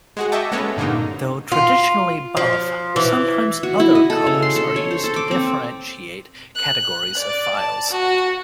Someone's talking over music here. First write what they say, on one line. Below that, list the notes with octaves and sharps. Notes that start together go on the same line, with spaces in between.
Though traditionally buff, sometimes other colors are used to differentiate categories of files.
G#3 F#4 G#4
D#5 E5 G5 A5 C#6 D6
G#3 B3 C#4 A4 C#5
G2 A#2 D3 A#3 D#4
F4
F3
E3
F#4
E4
D#5
A4
C#3
C6
A4
C#5
C5
A4
D6
C4
F#6
D5
A5
F#4